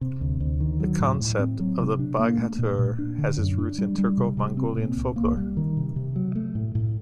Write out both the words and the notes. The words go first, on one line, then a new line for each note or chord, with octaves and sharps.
The concept of the Baghatur has its roots in Turco-Mongolian folklore.
C3
D2
D2
D#3
F#3
A2
A2
C4
F#3
C3
D4
A#3
A3
A#2
A#2
D4
D3
F#2
D4
G3
G3
C3
C3
C4
A#2
C2
A#3
G3
D#3
C3
C3
F#3
A3
A2
A2